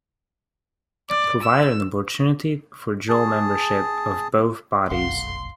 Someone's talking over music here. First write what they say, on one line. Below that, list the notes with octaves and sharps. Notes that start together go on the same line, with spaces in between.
Provide an opportunity for dual membership of both bodies.
D5
E6
G#4 A5
F1 B1 F#2 F5 F#5 C6